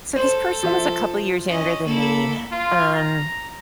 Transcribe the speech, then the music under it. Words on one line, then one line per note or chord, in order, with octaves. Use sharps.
So this person was a couple years younger than me, um,
A4 C5
F3 E5
C#4 D#5
A#3 E4 A4
F4
A#5